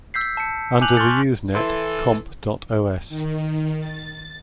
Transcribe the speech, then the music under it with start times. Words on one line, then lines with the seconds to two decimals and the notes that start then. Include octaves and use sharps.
Under the Usenet comp.os.
0.14 E6 G6 B6 C7
0.37 A5 C#7
0.81 G#5 D6 F#6 G6 F7 F#7
0.96 C6 C#6 F6 G6 A6 C#7
1.55 E3 E4 A4 C6
3.09 D#3
3.80 A6